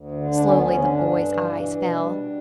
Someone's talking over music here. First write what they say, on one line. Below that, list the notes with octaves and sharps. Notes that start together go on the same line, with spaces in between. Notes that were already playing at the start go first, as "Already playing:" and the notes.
Slowly the boy's eyes fell.
Already playing: D2
D3
D2 D4
C#4
D2 B3
C#4
D3
G2 D4
G2
E3
B2
B2
G3
B2